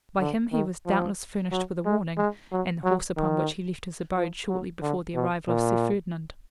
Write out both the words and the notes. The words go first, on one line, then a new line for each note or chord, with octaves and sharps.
By him he was doubtless furnished with a warning, and the horse upon which he left his abode shortly before the arrival of Sir Ferdinand.
D3
D#3
F3
F#3
G#3
G#3
F#3
F#3
D#3
F3
F#3
D3
B2
A#2